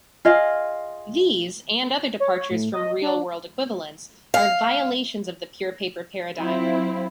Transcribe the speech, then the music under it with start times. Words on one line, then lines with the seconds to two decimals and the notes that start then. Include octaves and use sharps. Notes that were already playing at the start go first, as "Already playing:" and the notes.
These and other departures from real-world equivalents are violations of the pure paper paradigm.
0.25 F4 G#4 D#5 F5
2.20 C#5
2.51 A2
2.74 D#5
3.02 D4
4.34 F5
6.37 F#3 C4 E4 F4